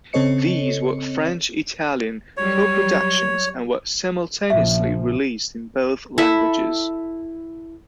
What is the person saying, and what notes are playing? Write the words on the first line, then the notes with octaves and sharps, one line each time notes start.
These were French-Italian coproductions and were simultaneously released in both languages.
C#3 C4 A4 C#5 D#5 C#7
F#3 G3 C#5
A#1 C#3 F3 E5
E4 A4 E5 B5